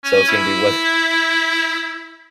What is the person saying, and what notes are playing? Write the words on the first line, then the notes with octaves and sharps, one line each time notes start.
so it's gonna be wha
C#4
E4